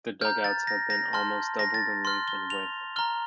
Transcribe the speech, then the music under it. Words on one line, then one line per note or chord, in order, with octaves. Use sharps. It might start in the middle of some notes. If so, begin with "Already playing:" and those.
The dugouts have been almost doubled in length and width.
A#5 F6 G6
A6
A#6
A#6
A5 C6 F6
A#6
A6
C6 F6
G7
F7
A#5 F6 G7